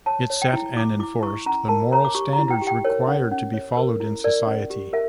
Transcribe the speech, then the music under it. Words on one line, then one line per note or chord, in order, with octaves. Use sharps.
It set and enforced the moral standards required to be followed in society.
C#5 A5
C#5
G5
E4
E4 D6
E4 D6
E4 C#6
C#4 A#5
A#4 A5
C#5 A#5
D6
G4 C#6
A#5
E4
G5
G4
G5
A#4 C#5
C#4
C#4
C#5
A#4
E4
A#4 D5
C#4
G4
A#4 E5